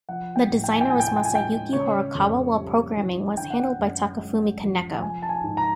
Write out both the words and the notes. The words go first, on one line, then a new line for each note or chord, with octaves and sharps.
The designer was Masayuki Horikawa, while programming was handled by Takafumi Kaneko.
F3 F#5
G5
A2
G5
G#5
G5
A2 G#5
G5
G#5
G5
G#5
G#3 G5
C#3 C#5
F2
G3
E3
D3 G5
F#5
G5
F#2
G#3
F3
F3 G#5
A5
G#5
G#2
A#5